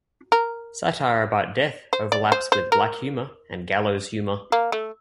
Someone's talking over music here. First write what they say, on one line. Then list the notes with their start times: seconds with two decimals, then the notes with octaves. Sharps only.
Satire about death overlaps with black humor and gallows humor.
0.32 A#4
1.93 C5
2.12 D5
2.32 C5
2.52 C5
2.72 A#4
4.52 A#3
4.72 A3